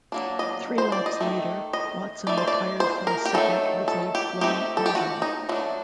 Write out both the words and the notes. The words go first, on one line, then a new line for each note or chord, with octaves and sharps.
Three laps later, Watson retired from second with a blown engine.
F#3 A#3 D4
D#5
C5
D5
D#5
D#3 A3
D#5
A3 D#4 D5
C5
D5
C5
A#4
G4
D#3 F#3 A3 A4
A4
G4
A3 C4 D#4 G4
A4
G4
F#4
D#4
F#3 A3 D4 F#4